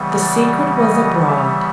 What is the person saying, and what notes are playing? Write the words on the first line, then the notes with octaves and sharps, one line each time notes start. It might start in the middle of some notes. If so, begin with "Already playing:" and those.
The secret was abroad.
Already playing: C#3 E3 G3 B3
D5
D#5
E5